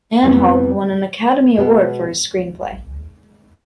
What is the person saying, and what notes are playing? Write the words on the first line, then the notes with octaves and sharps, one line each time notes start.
Anhalt won an Academy Award for his screenplay.
F2 C3 E3 G3 B3
B2 G#3 B3